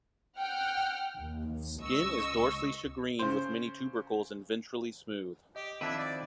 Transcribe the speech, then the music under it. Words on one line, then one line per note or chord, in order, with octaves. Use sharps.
Skin is dorsally shagreened with many tubercles and ventrally smooth.
F#5 G5 F6
D#2
C#2 D#5 C#6 E6
C#3 C5
G4 D#5
F2 D#3 C4 D4 E4 B4 E5
D5